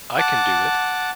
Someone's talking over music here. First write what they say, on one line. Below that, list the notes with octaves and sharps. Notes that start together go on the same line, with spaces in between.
I Can Do It!
F#5 A5 D6